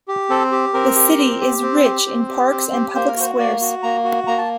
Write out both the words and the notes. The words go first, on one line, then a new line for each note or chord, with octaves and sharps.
The city is rich in parks and public squares.
G4
C4 A4
G4
C4 A#4
G4
C4
G4
C4
G4
C4
G4
C4
G4
A#3 C5
A#4
F#4 C5
A#3 D5
F#4
A#3 A#5
F#4
A#3 A#5
A5